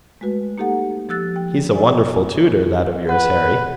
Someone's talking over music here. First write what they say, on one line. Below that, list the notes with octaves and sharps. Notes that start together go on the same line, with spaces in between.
"He's a wonderful tutor, that of yours, Harry!"
G#3 A3 F#4 B4
A#3 D#4 G4 A4 F#5
F3 G4 E6 F#6 A6
G5
D5 G#5
B4 F#5